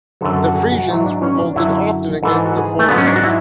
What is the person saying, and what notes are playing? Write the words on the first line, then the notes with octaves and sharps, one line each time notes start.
The Frisians revolted often against the foreigners.
F#2 D3 F#3 A4
A4
F#4
G#4
F#4
G#2 F#3 E4
D4
C#4
D4
F#2 D3 F#3 E4
G#2 E3 A4
F#4
G#4
A3
G#2 F#3 B3
C#4
D4
F#4
E4